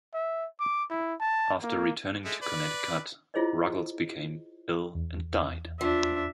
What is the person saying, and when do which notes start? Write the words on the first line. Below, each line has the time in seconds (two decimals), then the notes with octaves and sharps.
After returning to Connecticut, Ruggles became ill and died.
0.14 E5
0.60 D6
0.90 E4
1.20 A5
1.63 A#3
2.25 G#3 A3
2.42 B4 D5
3.34 E4 F4 G#4 C5 C#5 D#5
4.95 E2
5.81 F3 D4 E5